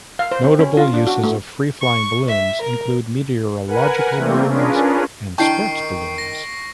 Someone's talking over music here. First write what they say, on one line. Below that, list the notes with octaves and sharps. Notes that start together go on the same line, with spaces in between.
Notable uses of free-flying balloons include meteorological balloons and sport balloons.
F5
C5
C4
C#4
F4
D4
F#4
A3
C#6
E5
A#4
A#4 B4 F#5 G#5
C3 E3 G3 A3 A#3 C4
C#4 D4 F4 G#4 A#4 B4
D#3 D4 E4 G5 A5 C#6 C7 D7
A#6